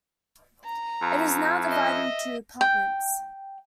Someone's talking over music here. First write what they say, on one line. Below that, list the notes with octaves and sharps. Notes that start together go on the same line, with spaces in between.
It is now divided into apartments.
A#5
F2
D#5 E5
G5